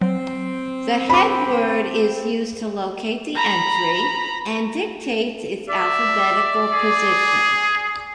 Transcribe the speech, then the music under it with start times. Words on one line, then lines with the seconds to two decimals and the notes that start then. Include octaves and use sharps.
The headword is used to locate the entry, and dictates its alphabetical position.
0.01 F#3 C4
1.10 B5 D6
3.35 A#5 B5
5.69 D5 E5
6.73 G#4